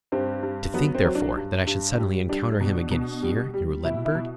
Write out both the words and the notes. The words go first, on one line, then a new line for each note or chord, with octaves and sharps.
To think, therefore, that I should suddenly encounter him again here, in Roulettenberg!
G2 C4
G2
F#3 B3
C4
F#3
D4
G2
G2
G3
G3 D4
B2
B2
G3
G3
B2 E4
E4
B2